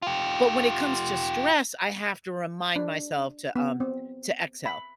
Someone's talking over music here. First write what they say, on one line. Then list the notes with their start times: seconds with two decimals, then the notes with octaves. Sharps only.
But when it comes to stress, I have to remind myself to, um, to exhale.
0.02 F4 G4
2.76 D4
3.56 B3
3.80 C4
4.66 B5